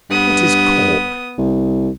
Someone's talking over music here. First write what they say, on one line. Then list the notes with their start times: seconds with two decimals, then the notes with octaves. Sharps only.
What is Cork?
0.10 G2 B3 D#6
1.38 C2